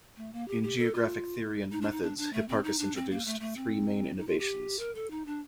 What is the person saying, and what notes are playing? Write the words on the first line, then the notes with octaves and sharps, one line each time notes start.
In geographic theory and methods Hipparchus introduced three main innovations.
A3
A#3
G4
G4
A4
F4
D#4
D4
D#4
D4
D4
A3
C4
D#4
D4
C4
A#3
A3
A3
C4
D#4
F4
G4
A#4
A4
D#4
D4